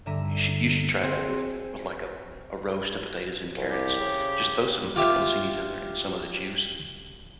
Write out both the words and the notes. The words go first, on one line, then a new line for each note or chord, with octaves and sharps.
You shou you should try that with with, like, a a roast of potatoes and carrots. Just throw some peperoncinis in there and some of the juice.
G2 D3 E5 A#5 E6 D#7
C4 G#4 A5
C2
G4
C#3
F4 G4 E5